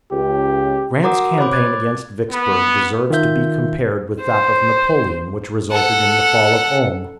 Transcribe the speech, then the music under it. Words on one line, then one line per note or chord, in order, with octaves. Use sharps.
Grant's campaign against Vicksburg deserves to be compared with that of Napoleon which resulted in the fall of Ulm.
C#2 G4
F#4 A#4 F#5 A#5 D6 D#6
C5 C#5 B5 D6
D6 F#6 G#6 A6
B3
D#3 F4 E5 G6
C5
A4 F#5